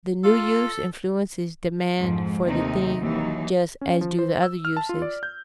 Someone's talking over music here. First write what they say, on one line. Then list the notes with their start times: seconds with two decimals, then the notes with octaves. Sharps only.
The new use influences demand for the thing just as do the other uses.
0.24 F4 A4
1.99 F2 G#2 F3
2.46 D#2 C3 D#3 A3 D#4 D#5
3.00 D#2 E3 F#3 D#4
3.81 C#4
4.01 F3
4.19 C5
4.43 E6
4.65 F6
4.77 A5
4.89 F4
5.02 D5
5.23 G6